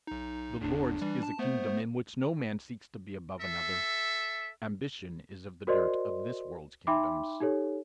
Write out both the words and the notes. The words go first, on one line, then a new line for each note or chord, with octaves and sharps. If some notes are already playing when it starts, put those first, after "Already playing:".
The Lord's is a kingdom in which no man seeks to be above another: ambition is of the dirt of this world's kingdoms.
B1 D#4
G1 E2 D4
E3 G3
A5
A3 B3 C5
A4 E5
F#4 A#4 C5 D5 D#5 C6
D#4 E5 G5 B5 C6 D6
D#4 G4 A4 C#5